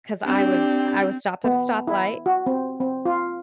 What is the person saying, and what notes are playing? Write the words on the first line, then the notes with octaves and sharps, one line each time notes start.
'cause I was I was stopped at a stoplight,
C4 D4 G4
B3
E4
F#4
C4
C4
F4